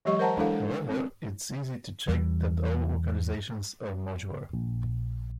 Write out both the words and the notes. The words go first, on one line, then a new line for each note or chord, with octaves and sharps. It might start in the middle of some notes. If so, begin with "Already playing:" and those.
However, it is easy to check that all localizations are modular.
E3 F#3 G#3 G4 D#5 C#6
A#4 C5 F#5 A5 A#5
E3 G#3 D4 E4 A4 F5
G#3
C4
E2 E3 G3
A#1